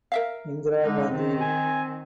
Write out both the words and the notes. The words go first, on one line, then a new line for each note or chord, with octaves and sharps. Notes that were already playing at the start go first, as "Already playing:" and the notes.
Indira Gandhi.
A#4 E5 F5
D3 G#3 D#4
D#3 C4
G#5